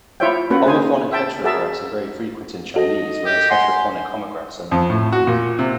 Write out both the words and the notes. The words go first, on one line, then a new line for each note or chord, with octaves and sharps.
Homophonic heterographs are very frequent in Chinese, whereas heterophonic homographs are not.
E4 F4 C5 C#5 E5 G5
A#3 C#4 F#4 B4 F#5
G#4 C5 G#5
E5 G5 A5
F#4 G#4 A#4 E5 A5
F#4 A4 D#5
G4
F#5 G#5 C6
F2
A2
F#4
A#2
C3